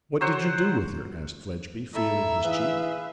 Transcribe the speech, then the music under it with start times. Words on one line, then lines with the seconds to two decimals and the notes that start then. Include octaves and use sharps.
'What did you do with her?' asked Fledgeby, feeling his cheek.
0.21 F#3 C5 F#5
1.94 E4 A4 E5 A#5
2.44 E3 D#4 G#4 B4 F5